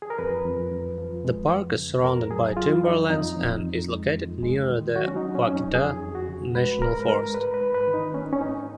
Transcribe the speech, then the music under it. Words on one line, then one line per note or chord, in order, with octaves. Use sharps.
The park is surrounded by timberlands and is located near the Ouachita National Forest.
G#4
A#4
F2 B4
F2
F2
F3
G#3
F2
C#3
F2 A#4
F#3 G#4
F#3 F4
F2 D#4
F2 D#4
F2
F2
G#3
F2
G#3
D#3
F#3 F#4
C#4
D#4
F#3
C#4
F2 C#4
D#4
F2 G#4
F2
F#4
C#3
G#3 B4
G#2 A#4
B4
G#3 A#4
G#2 B4
B4
G#2
B4
D#3
D#4
A#3 C#4
C#4
G#2 D#4